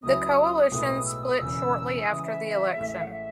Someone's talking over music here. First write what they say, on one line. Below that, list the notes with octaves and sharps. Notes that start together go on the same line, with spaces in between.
The coalition split shortly after the election.
C#2 C#3 F#3 C#4 E4 D#6
B1 A2 G#3 B3 D#6
E6
D#6
E1 E2 C#3 E6
E6
C#3 E3 G#3 D#6
E5
A1 A2 G#3
F#5
E5